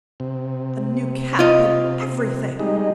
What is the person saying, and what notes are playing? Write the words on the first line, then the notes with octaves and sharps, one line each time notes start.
A new cap, and everything!'
C3
F4 D#5
G3 G#3 D#4